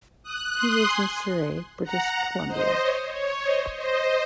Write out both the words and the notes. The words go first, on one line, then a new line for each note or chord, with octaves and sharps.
He lives in Surrey, British Columbia.
D#6 F#6
C6 D#6
G#5 C6
F#5 A#5
C5 D#5
C#5
C#5
C5 D#5
C5 D#5